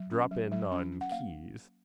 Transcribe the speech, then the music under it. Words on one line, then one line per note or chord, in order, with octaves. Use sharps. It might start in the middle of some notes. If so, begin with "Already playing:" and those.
Drop in on Keyes.
Already playing: F#3
C#4
F#3
F#3
C#4
C#4
F#5
A#3 F5